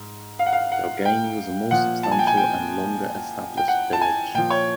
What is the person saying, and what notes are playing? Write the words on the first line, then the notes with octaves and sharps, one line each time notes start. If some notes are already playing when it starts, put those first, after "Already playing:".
Delgany was a more substantial and longer established village.
Already playing: G#2
F5
F#5
F5
F#5
G5
A#2 F3 F#5
A5
G#5
G5
G#5
G5
G5
F#5
A5
G#5
A#2 F3 G5
C#5